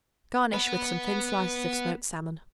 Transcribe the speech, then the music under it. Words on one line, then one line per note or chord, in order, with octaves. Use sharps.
Garnish with some thin slices of smoked salmon.
B3 B4